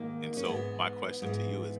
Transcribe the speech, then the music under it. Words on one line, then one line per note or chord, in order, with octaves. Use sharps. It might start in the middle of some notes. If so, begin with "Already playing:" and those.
And so, my question to you is,
Already playing: G#2 D#3 A#3
C#4
G#2 E3 B3
G#2 E3